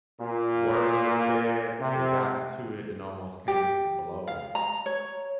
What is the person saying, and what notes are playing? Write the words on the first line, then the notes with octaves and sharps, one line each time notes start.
Words were said, they got into it, and almost came to blows,
A#2
C3
G4
F5
A#5
C#5